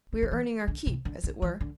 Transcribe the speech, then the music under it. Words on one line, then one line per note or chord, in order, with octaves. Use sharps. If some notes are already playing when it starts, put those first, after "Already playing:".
"We are earning our keep as it were."
D3
D3
E3
D3
C3
D3
D3
E3
D3